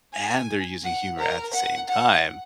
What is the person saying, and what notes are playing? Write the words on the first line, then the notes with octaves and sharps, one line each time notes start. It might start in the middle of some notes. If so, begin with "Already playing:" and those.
and they're using humor at the same time,
G#5
F#5
A#4
F#5
F#5